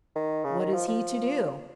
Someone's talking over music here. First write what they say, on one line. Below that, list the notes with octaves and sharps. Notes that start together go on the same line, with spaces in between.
What is he to do?
D#3
C#3
D#3
F3
F3